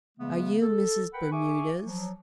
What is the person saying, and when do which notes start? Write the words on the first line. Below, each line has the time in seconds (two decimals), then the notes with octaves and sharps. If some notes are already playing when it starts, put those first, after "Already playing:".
"Are you Mrs. Bermudez?"
0.18 C#3 E3 G#3 A3 B3
0.62 A4
1.14 A#4 B4 F#5 G5 B5
1.32 G#4 E5 G#5 C#6 D6
1.84 F3 F#3